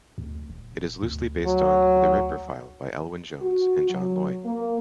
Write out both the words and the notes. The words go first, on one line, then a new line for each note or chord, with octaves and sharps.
It is loosely based on "The Ripper File" by Elwyn Jones and John Lloyd.
D2
D#1
D2
F#3
F#4
F#3
A#3